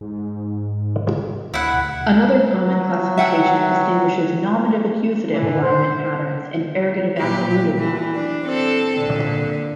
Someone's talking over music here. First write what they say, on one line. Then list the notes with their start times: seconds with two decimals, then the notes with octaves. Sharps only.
Another common classification distinguishes nominative-accusative alignment patterns and ergative-absolutive ones.
0.01 G#2
1.54 D2 E4 F#5
2.57 F#3
3.17 E5 F#5 G5
5.31 E3
5.60 C5
7.18 A#2 F#3 G4
7.78 E3
8.15 D4
8.43 C4 A4
8.98 A#2 D3